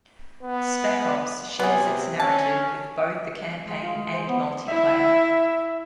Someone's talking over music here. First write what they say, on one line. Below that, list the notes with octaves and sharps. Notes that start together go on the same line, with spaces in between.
Spec Ops shares its narrative with both the campaign and multiplayer.
B3
C3 B3 G#4
C#4 A5
G#3
F4
G#3
C5
B3
E4 E5